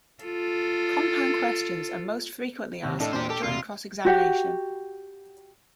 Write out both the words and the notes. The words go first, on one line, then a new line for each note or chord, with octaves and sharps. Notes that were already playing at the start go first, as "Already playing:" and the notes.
Compound questions are most frequently asked during cross-examination.
F4 A4
D#2 C3 C4
A2 D4 A4 D#5
E1 A#2 D4 G4 C5
G4 A4
E1 C3 F4
F#4 G4 F#5